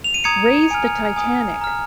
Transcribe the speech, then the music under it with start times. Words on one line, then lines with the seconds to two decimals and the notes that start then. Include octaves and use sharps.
Raise the Titanic!
0.04 F7
0.14 D#7
0.24 A#5 D#6 G#6 C#7
0.71 G#5 F6
1.16 G#5 D#6
1.61 A#5 F6